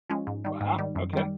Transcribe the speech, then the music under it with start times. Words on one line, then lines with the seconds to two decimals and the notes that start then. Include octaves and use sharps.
Wow, okay.
0.09 F3 G#3 C#4
0.27 G#2
0.44 D#3 G3
0.61 G#2
0.78 D#3 G3
0.96 F#2
1.13 D#3 G3